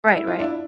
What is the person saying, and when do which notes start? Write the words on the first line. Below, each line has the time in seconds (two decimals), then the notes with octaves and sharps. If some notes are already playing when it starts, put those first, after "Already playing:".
Right, right.
0.15 E4
0.27 F4
0.40 D4 E4